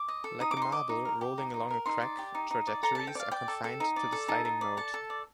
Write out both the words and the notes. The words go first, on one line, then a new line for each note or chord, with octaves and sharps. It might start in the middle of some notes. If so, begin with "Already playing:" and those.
Like a marble rolling along a crack, trajectories are confined to the sliding mode.
Already playing: D6
D#5
A4
D#4 D#6
D6
D#4
C6
D#5 D6
D#4
A#4
G4
D#4
D#4
A#4
D#4 C6
D5
G4
D#4
D#4
D5
A4 A#5
A4 A5
G5
D5 F5
D5 G5
A4
A4
D#4
D5
A4
D#4 A5
D#4
D5
A4 A5
A4
D5